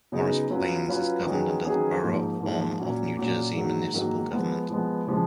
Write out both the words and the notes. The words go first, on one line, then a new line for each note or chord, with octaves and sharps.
Morris Plains is governed under the Borough form of New Jersey municipal government.
C#3 F#3 B3 D#4 G#4
F#3 C#4 F4 B4
F#3 C#4 F4 B4
D#3 F#3 C#4 G#4 B4
D#3 F#3 C#4 G#4 B4
G#2 F3 A#3 D#4
G#2 F3 A#3 D#4
A#2 F#3 C#4
A#2 F#3 C#4
G#2 D#3 F#3 A#3
G#2 D#3 F#3 A#3
F3 G#3 B3
F3 G#3 B3
C#3 F3 G#3